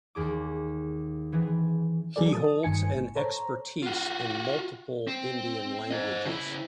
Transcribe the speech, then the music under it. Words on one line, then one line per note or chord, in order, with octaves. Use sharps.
He holds an expertise in multiple Indian languages.
D#2 G#4 D6
E3 B3 C4 G#4
E3 F#3 G#4 A4 D5
A4 A5 D#6
G1 G2 D#3 G#5 C#7
A2
A4 C5 C#5 A#5
F4 F#4
C4
C5 D#5
C#3 E4